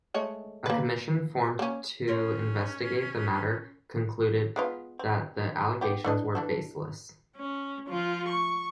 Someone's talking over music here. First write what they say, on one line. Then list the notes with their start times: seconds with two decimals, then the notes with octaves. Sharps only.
A commission formed to investigate the matter concluded that the allegations were baseless.
0.14 G#3 A3 C#5
0.66 A#3 B4
1.59 A#3 C#4
2.08 C#4 A#4 C5 C#5
4.56 G#3 B3 F4
4.99 C4
5.81 B3 G4
6.04 E3 D4 D#5
6.35 E3 D4 A4
7.36 C#4
7.89 F3 F4
8.28 C#6